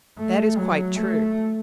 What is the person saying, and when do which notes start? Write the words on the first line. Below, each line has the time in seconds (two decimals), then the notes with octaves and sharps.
That is quite true.
0.18 A3
0.57 F#3
0.96 A3